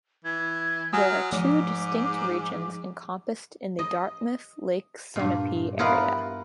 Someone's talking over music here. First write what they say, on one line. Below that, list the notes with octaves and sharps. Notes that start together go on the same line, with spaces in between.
There are two distinct regions encompassed in the Dartmouth-Lake Sunapee area.
E3 G#6
F#3 G#5 D#6 F6
G#2 F3 D6
D#5
G2 A#2
B3 E4 F4 A#4 B4